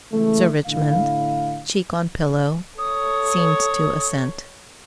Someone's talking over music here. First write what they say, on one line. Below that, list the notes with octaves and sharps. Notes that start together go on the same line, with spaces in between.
Sir Richmond, cheek on pillow, seemed to assent.
C#3 E3 G#3 A3
A2 D3 E4 F5
A4 C#5 D#6